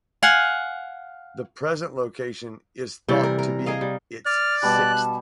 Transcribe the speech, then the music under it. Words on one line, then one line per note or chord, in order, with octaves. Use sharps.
The present location is thought to be its sixth.
F5 F#5 G#5
C3 E3 G3
A#4
A#4
G#4 A#4 D#5 F5
G3
D5 F6
B2 G3 A5 F#6